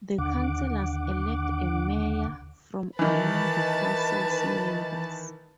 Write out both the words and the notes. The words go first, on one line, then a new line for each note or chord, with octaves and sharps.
The councillors elect a mayor from among the council's members.
D#2 D3 F#5 D6
D#3 E3 B4 A5